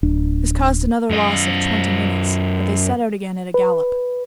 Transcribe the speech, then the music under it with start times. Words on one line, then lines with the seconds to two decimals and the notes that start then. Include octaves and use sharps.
This caused another loss of twenty minutes; but they set out again at a gallop.
0.03 D1 D4
1.10 F#2 D#5
3.54 B4